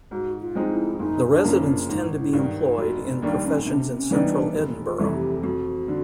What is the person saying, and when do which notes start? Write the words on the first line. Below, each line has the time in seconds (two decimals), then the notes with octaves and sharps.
The residents tend to be employed in professions in central Edinburgh.
0.11 G#2 F#4
0.41 F4
0.55 F3 G#3 C4 D#4
0.71 E4
0.99 F#1 D#4
1.30 D4
1.44 F#2 C#3 F3 A#3
1.59 D4
1.89 G#1 D#4
2.18 E4
2.33 G2 D#3
2.78 F1 F#4
3.22 D#2 D#3 G3 A#3 D4
3.44 C#4
3.66 C3 D4
3.96 C#4
4.11 E3 G3 B3 D#4
4.25 D4
4.55 F1
4.85 F4
4.99 F2 C3 E3 A3
5.14 G4
5.43 F2 F#4
5.88 D3